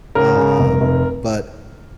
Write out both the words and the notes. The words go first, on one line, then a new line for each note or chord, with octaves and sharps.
um, but
C#3 A#4
C#3
F1
F1